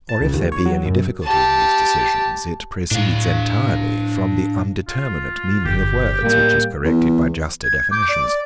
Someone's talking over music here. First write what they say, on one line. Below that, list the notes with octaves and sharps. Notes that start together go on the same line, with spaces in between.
Or if there be any difficulty in these decisions, it proceeds entirely from the undeterminate meaning of words, which is corrected by juster definitions.
A5
C#2
D#2
C#5
F#3
F#2
G4 A5
A2 D4 F5
F4
G1 G4
A2 G3 A#3 G5
E2
G#6
D6 G6
D5